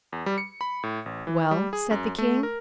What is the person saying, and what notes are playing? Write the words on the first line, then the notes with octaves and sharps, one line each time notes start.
"Well?" said the king.
E2
G3
C#7
B5
A2
A1
E3
G3
G#4
F#2
A3
A#4